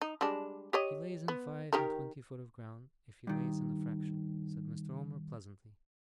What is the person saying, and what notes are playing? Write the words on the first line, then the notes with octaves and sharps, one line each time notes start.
'He lays in five and twen-ty foot of ground, if he lays in a fraction,' said Mr. Omer, pleasantly.
D#4
G3 G#3 D4
G4 C#5 D#5
B3
D#3 G4 A#4
G2 D#3